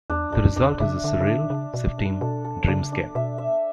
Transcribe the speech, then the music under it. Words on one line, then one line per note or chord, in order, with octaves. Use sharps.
The result is a surreal, shifting dreamscape.
E2 D4
F#2 D4
E2 D4
C#3 E5
D3 D4
C#3
D3 D4
C#3 D4
B2 D4
D4
B2 A4
A4
C#3 D4
D4
B2 E5
E5